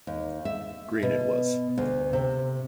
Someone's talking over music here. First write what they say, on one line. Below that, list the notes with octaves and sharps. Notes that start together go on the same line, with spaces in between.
Green, it was.
D#2
E5
B2
D2
C3